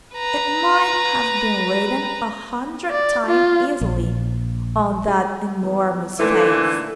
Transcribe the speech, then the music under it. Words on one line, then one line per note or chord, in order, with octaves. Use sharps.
It might have been written a hundred times, easily, on that enormous face.
B4 A#5
D5
F4
A#1
G#4
E2
A#2 D3 E3 A3 D#4 A4